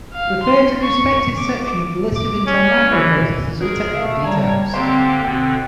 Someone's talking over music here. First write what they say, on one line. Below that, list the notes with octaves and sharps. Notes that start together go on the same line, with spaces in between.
Refer to the respective section of the list of Intel microprocessors for technical details.
F5
C6
C#6
D6
D6
C#4
E3
F#3 G#3 G#4 A#4
A3 E5 F5
G3 C#5 A5 A#5
D3 A#3 C4 G4 C5
B2 D3 C4 G5